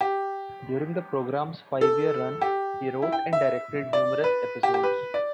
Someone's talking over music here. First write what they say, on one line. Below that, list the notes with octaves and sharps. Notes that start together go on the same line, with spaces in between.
During the program's five-year run he wrote and directed numerous episodes.
G4
A4
G4
E4
G5
E5
D5
B4
G4
G4
B4
D5